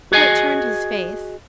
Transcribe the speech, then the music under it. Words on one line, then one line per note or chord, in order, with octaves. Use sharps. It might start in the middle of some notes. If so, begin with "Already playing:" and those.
Kurt turned his face.
F#4 G#4 D#5 G#5